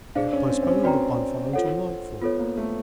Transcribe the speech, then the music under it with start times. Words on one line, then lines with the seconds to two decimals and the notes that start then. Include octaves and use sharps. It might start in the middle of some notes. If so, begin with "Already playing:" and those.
I have postponed the bonfire until nightfall.
0.15 D4 G#4 C5 F5
0.33 C#4
0.49 C4
0.63 C4
0.67 C#4
0.84 C4 F#4 B4 D5 G5 A#5
1.53 F4 A4 C#5 F#5
2.22 B3 F4 A4 C#5
2.39 A#3
2.57 A3